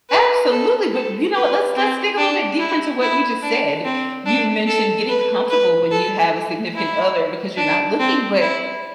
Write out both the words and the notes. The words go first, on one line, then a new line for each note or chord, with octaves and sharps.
Absolutely, but, you know, let's let's dig a little bit deeper into what you just said. You mentioned getting comfortable when you have a significant other because you're not looking, but
B4
A4
A4
B4
C4
D4
E4
E4
D4
C4
D4
A4
B4
B4
A4
E4
D4
C4
E4